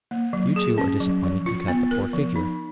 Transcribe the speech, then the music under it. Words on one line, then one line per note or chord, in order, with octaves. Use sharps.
You, too, are disappointed and cut a poor figure.'
A#3
F#3
G#4
C#4
F#3
F3
F4
B3
A#4
F3
D#4